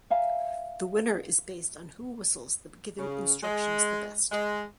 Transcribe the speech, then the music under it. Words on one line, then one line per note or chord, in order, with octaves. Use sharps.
The winner is based on who whistles the given instructions the best.
E5 F5 G#5 A#5
C#3
G#3
G#3